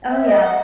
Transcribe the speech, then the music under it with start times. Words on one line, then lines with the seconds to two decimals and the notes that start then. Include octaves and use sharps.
Oh, yeah.
0.11 E5
0.26 D#5
0.42 F#5